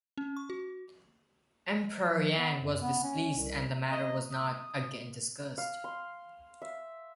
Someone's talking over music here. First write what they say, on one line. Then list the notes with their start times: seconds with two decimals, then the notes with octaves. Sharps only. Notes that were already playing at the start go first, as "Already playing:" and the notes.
Emperor Yang was displeased, and the matter was not again discussed.
0.17 C#4
0.37 C#6
0.50 F#4
2.12 F3
2.37 B3
2.60 F#2
2.82 B3
3.03 C#4
3.37 C2
3.91 D#5
4.32 D#6
5.58 F5
5.84 C6
6.62 E5